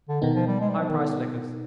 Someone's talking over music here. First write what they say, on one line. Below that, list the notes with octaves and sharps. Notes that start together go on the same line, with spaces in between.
High-priced liquors.
D3
B2 D#3 B3 D#4
F3
G3
G#3
G3
F3
D#3
D3